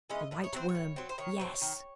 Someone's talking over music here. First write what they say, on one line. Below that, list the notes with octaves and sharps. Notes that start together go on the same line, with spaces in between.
"The White Worm--yes!"
E3 G#3 C#4 D#5
A2 D#5
C#5
F#3 C4 C5
C#5
A2
F#3 C4
C5
D#3 C#5
F#3 C4
D#3